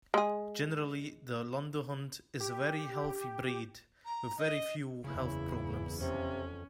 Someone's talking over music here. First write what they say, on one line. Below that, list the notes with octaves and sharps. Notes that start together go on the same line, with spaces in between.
Generally the Lundehund is a very healthy breed with very few health problems.
G#3 G#4
G4
A#5
D#5
F#1 E2 C#3 E4
F2 C3 C#4